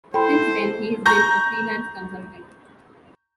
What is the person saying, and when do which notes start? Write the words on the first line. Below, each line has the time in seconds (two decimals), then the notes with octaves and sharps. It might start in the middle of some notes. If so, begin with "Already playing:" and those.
Since then, he has been a freelance consultant.
0.14 E4 A4 C5 G5 B5 C6
1.06 A#5 C#6 G6 A#6